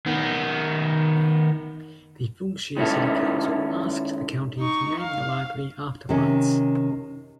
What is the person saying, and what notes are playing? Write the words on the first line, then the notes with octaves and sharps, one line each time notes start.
The Fulshear City Council asked the county to name the library after Lutts.
D#3 B3
D#3 G#3 C#4 E4 A4
D#4 C#6
F5
C3 D#3 C#4